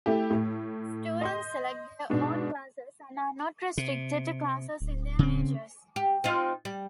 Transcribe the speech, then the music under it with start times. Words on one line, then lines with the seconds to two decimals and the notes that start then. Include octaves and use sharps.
Students select their own classes and are not restricted to classes in their majors.
0.06 A3 E4 G4
0.30 A2 A3
1.21 D#5 C6 G6
2.10 G#2 B2 D4
3.78 C3
4.81 D1
5.19 C#3 C4
5.96 G4
6.24 C4 D#4 F4
6.65 G3